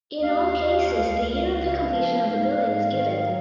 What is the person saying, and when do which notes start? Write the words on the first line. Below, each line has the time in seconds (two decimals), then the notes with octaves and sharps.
In all cases the year of the completion of the building is given.
0.22 D#2 F5
0.55 D#2
0.90 C#2
1.23 C#2
1.56 C#3 F5
1.91 F3
2.23 G#2
2.58 G#2
2.91 D#3
3.25 F#3